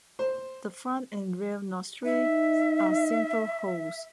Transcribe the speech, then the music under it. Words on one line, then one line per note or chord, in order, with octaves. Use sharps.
The front and rear nostrils are simple holes.
C5
D#4 E5